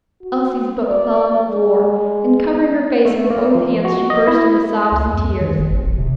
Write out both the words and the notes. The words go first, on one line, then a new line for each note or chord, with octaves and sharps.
Elsie's book fell on the floor, and, covering her face with both hands, she burst into sobs and tears.
F#4
D5
G#3
A3
A#3
F3
F#4
D#5
E4
C#2
F2
D#3
F#1
G#1
D1
C3